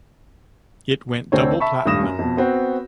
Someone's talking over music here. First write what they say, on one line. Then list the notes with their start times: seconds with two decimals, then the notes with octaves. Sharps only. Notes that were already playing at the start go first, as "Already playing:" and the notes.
It went Double Platinum.
1.32 D2 C4 D4 A4 C#5
1.60 E5 A5 B5 C#6
1.85 D#1 G2 A3 D#6 A#6 E7
2.03 F#2
2.19 F2 B2
2.37 B3 C4 F#4